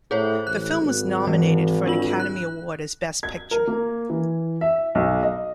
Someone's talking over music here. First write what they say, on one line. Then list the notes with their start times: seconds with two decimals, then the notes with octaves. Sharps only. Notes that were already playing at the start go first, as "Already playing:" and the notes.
The film was nominated for an Academy Award as Best Picture.
0.11 A2 G#4 C5 C#5
0.47 A1 F#6
0.80 G#1
1.27 E3 G#3
1.86 D4 F4 F#7
2.20 F#6
3.23 G#6
3.51 A#4
3.68 A#3
4.10 E3
4.61 E5
4.95 B1
5.23 D#5